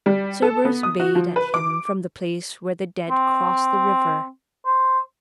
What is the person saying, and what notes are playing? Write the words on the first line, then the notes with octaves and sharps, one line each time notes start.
Cerberus bayed at him from the place where the dead cross the river.
G3
A4
B3
D#6
F#4
F3
B4
D6
C4
C5